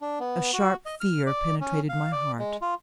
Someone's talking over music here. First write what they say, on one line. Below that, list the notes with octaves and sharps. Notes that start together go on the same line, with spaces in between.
A sharp fear penetrated my heart.
D4
B3
F#4
D#5
F6
D5
C#4
F5
D5
G#3
F4